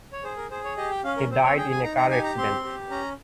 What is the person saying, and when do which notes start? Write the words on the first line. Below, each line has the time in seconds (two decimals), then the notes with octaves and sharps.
He died in a car accident.
0.12 C#5
0.24 G#4 C5
0.37 A#4
0.51 G#4 C5
0.64 C#5
0.77 G4 D#5
0.91 G5
1.04 C#4 F5
1.17 A#4
1.30 C4 C5
1.44 C#5
1.57 G#4 G5
1.71 G#5
1.84 D#4 A#5
1.97 A#5
2.10 G4 G#5
2.24 A#5
2.38 C4 C6
2.65 G4
2.90 C#4 A#5